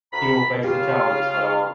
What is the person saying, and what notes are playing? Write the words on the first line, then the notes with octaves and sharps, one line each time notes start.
We will face the challenges head-on.
D2 A#5 B5
C#3 F4 G4 F5